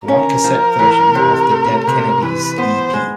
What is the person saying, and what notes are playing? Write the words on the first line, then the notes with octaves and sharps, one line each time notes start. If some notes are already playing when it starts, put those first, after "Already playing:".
One cassette version of the Dead Kennedys e.p.
C#4 A#4
F3
E3
C3
A3
C3
E3 B4
B3 C5
G#3